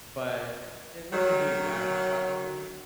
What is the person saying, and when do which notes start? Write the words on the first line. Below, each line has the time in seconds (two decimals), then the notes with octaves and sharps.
but, eh, nothing really bad has happened to me.
1.13 D#3 F#3